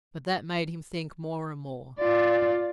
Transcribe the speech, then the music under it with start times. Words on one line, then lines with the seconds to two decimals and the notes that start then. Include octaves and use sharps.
But that made him think more and more.
1.99 F4 D5